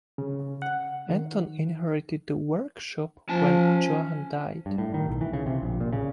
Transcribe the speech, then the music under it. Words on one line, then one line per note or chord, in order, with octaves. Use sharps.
Anton inherited the workshop when Johann died.
C#3
F#5
D#3
F3 C#4 A5
G2
A2
D#3
B1
E3
C#3
C3
A#1
A#2
C#3